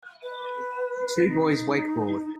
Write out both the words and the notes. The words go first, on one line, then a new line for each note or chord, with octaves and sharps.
Two boys wakeboard.
B4
D#4